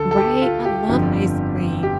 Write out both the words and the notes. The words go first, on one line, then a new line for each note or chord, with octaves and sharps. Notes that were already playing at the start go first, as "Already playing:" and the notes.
Right, I love ice cream,
Already playing: D2 D3 A4
A4
G4
F4
G4
G1 F2 D3 F3
G4